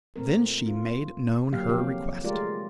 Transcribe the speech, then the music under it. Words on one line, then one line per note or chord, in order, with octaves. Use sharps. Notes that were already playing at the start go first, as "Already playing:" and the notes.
Then she made known her request.
A#2 A3 C4 A#4
F4
D3 F#3 A#3 G4 F5
C3 F3 F#3 A#3 G4 F5
G#3 A3 F4 G4 A#4 D5